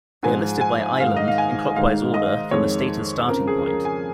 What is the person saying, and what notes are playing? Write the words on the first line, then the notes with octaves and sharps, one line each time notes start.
They are listed by island, in clockwise order, from the stated starting point.
G#2 F3 G#3 G#5
G#5
G#2 D#3 G#3 F5
D#5
F5
G#5
G#2 D#3 G#3 F5
D#5
F2 D#3 G#3 C#5
F2 C#3 F3 A#4
G#4
A#4
G#5